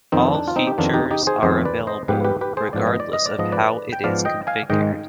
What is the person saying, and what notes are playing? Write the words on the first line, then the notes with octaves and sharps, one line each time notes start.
All features are available regardless of how it is configured.
F2 D#3 B3 C4 D#4
D4
F4
C4 D#4
G4
F2 D#3 B3 D4 F4
D#4 G4
D#4 G4
G#4 C5
F2 D#3 B3 G#4 C5
B4 D5
C5 D#5
G#2 F3 B3 G4 B4
G4 B4
G4 B4
G#4 C5
G#2 F3 B3 D5
D#5
D5
D#5
D5
G#2 F3 B3 D#5
B4 D5
G5
G#2 F3 B3 D5 F5
D#5 G5
F5 G#5
G#2 D#3 G#3 D#5 G5